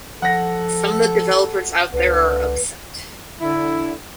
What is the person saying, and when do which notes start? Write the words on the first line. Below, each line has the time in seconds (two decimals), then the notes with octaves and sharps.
Some of the developers out there are upset.
0.22 F3 A4 F#5 A#6
1.93 C#2 D3 B4
3.41 D3 E4